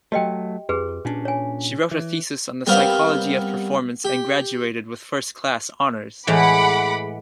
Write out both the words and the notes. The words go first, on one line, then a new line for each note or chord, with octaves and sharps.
She wrote a thesis on the psychology of performance and graduated with first-class honors.
F#3 A3 G4 D#5 G5
F2 G4 G#4 B4
A#2 C#4 D4
C#5 G#5
E3
G3 B3 C4 A#4 C5 F5
G4
A2 E3 G#3 F#5 B5 D6